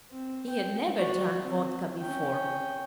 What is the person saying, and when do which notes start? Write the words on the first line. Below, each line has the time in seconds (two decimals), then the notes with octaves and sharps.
He had never drunk vodka before.
0.11 C4
0.49 G5
0.98 F#4 D5
1.41 C4
2.01 C#4 G5